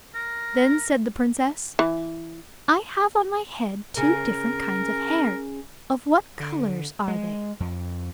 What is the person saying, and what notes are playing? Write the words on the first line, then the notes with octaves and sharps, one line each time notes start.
Then said the Princess, 'I have on my head two different kinds of hair. Of what colours are they?'
A#4
E3
C#3 A#4
D3
G#3
F2